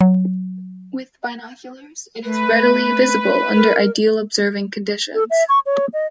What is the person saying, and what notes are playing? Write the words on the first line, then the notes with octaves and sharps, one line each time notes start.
With binoculars it is readily visible under ideal observing conditions.
F#3
A3 B4
A#4
A4
E5
C#6
C#5
D#5